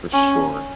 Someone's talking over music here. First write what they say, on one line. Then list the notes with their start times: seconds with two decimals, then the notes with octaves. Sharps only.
For sure.
0.13 C#4